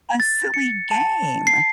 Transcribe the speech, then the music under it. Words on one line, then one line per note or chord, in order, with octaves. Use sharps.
a silly game.
A6
C#7
A5
C7